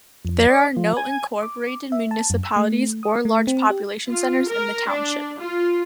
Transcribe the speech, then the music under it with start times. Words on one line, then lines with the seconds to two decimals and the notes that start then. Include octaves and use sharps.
There are no incorporated municipalities or large population centers in the township.
0.25 F2
0.49 D5
0.77 F3
0.97 G#5
1.42 D6
1.92 E5
2.11 A5
2.30 F#2
2.44 E6
2.56 A3
3.03 D#6
3.25 A3
3.47 C4
3.70 G4
4.09 F4
4.48 A#4
4.89 D4
5.39 F4